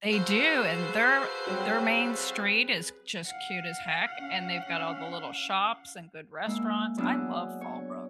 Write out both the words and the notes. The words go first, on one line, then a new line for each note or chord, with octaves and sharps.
They do, and their their main street is just cute as heck, and they've got all the little shops and good restaurants. I love Fallbrook.
F#4 G#4 A4 B4 C5 F5
F#3 G3 C4
F5 F#5
C#4
G#3 A#3 E4
F#3 B3 D4 E4 G#4
C#5